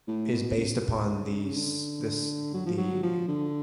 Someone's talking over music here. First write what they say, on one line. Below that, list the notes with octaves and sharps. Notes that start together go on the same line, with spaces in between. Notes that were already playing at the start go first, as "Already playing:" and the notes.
is based upon these this the
A2
B2
C#3
C#3
D3
F#3
F3
F#3
F3
D3